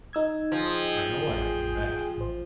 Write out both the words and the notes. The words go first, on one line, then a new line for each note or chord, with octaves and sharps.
I know I have been bad.
D#4 E6 G#6
F3 G#4 G5
A1 A2
A1 C5